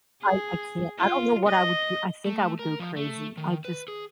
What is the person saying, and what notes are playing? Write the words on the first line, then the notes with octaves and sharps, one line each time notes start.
I I can't. I don't know what I would do. I think I would go crazy. I just
G#4
F4
D#5
A3
A#4
F3
A3
D#3
B4
G#4